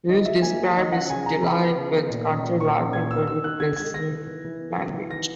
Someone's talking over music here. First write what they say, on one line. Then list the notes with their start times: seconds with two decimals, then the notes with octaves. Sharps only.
Pius described his delight with country life in very pleasing language.
0.08 D#3 D#5
0.25 D#3 E5
0.42 A#3 G#5
0.60 A#3
0.76 D#3 D#5
0.92 C#4 F#5
1.09 C#3 G#5
1.25 C#3 A#5
1.43 E3 B5
1.60 B3
1.76 C#3
1.92 B3
2.10 A#2
2.26 C#4
2.43 A#2
2.60 A#2 C#6
2.77 C#4
2.93 A#2 G#6
3.10 B3 E6
3.26 B3 E6
3.44 D#3 F#6
3.60 D#3 G#6
3.76 G#3 G#6
3.94 B3 A#6
4.10 E3
4.27 E3
4.45 E3
4.61 B3
4.78 E3
4.94 E3
5.11 D#3 A#6